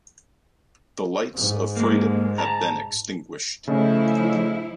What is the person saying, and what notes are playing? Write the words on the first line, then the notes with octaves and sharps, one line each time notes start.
The lights of freedom have been extinguished.
G#2
G#3 A#3
A5 A#5
C#3 F3 A3 D#4 E4 D#5